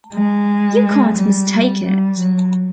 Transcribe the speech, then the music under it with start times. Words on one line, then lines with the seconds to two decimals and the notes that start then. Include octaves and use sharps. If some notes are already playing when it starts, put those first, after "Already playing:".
You can’t mistake it.
0.12 G#3
1.15 G3
1.84 G3
2.18 F#3